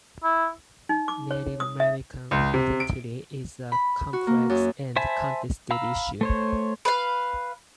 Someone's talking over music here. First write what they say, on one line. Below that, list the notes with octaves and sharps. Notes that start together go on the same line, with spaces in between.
Native American identity is a complex and contested issue.
E4
D#4
D6
C#5
D#6
E5
C#2
C3
D7
B5
F#4
A#3
F#2
C5 E5 G#5 A5 B5
F5 A#5 B5 E6
A3 C5 C#5
B4 F5